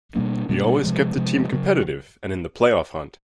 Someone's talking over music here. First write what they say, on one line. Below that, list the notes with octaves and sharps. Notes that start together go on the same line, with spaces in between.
He always kept the team competitive and in the playoff hunt.
B2 G3 A#3 D4
B2 G3 A#3 D4
C3 F3 G#3
C3 F3 G#3
C#3 F#3